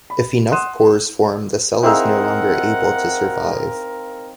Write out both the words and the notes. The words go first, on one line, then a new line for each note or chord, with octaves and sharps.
If enough pores form, the cell is no longer able to survive.
B5
F#5 C6 D#6 F#6 D#7 E7
C4 D#4 E4 G#4 A#4 F5 F#5 E6